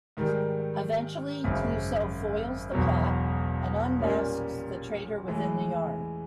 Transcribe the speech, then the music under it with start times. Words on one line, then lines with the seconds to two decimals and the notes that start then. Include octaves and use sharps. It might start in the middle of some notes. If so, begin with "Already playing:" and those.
Eventually, Clouseau foils the plot and unmasks the traitor within the Yard.
0.17 G#2 D#3 G3
1.44 G#1 F#2 C#3
2.72 E1 E2 B2 F#3
4.00 A#2 G3 A#3 C#4
5.28 A2 E3 G#3